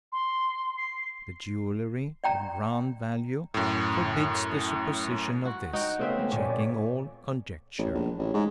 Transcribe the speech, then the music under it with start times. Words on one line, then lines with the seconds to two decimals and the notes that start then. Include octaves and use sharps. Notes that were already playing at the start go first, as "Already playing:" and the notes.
The jewellery, of grand value, forbids the supposition of this, checking all conjecture.
0.12 C6
0.77 C7
2.24 D5 G5 A#5
3.54 F#2 A2
5.45 F#4
5.73 D#4 F#4 G5
5.99 C#3 A3 B3 C4 E5
6.18 G#3
6.32 A#2 G#4 C#5 D5
7.78 A1
7.94 A#1
8.19 A1
8.34 G#2